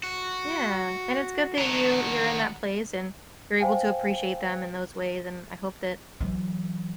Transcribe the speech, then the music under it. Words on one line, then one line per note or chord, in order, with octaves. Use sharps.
Yeah. And it's good that you you're in that place and you're able to appreciate them in those ways, and I hope that,
F#4
D#3 D4 F#5 A#5
C5 F5 G5 G#5
E3 F#3